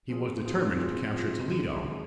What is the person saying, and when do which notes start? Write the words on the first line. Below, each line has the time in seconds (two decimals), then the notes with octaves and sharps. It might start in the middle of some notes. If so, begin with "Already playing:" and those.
He was determined to capture Toledo.
0.09 A#2 F3 C4 F4 G#4
0.43 A#2 F3 C4 F4 G#4
0.78 A#2 F3 C4 F4 G#4
1.13 A#2 F3 C4 F4 G#4
1.48 D#2 D3 G#3
1.84 D3 G#3